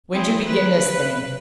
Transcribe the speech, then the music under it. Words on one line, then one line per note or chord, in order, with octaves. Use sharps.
"When'd you begin this thing?"
C4 E4 G#4
B4